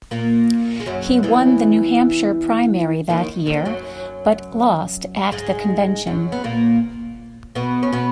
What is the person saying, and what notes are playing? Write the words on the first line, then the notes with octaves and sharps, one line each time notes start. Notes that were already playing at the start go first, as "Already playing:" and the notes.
He won the New Hampshire primary that year but lost at the convention.
A#2 A#3
G#3
F#2 F#3
E2 E3
D#2 D#3
D#2 D#3
F#2 F#3
G#2 G#3
F#2 F#3
B3
A#2 A#3
B2 B3
C#4
B2 B3